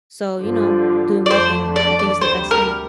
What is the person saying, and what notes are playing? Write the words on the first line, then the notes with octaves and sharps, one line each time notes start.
So, you know, doing nothing I think is the best thing.
G2 D3 F3
D5
F2 D3 A3 D4 C5
D5
D5
D2 C3 G3 C5
A#4